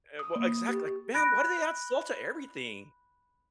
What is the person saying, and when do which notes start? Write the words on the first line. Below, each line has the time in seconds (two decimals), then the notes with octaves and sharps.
Uh, well, exact like, man, why do they add salt to everything?
0.19 D#6
0.36 A#3
0.69 G4
1.14 B5 F#6 A#6 D7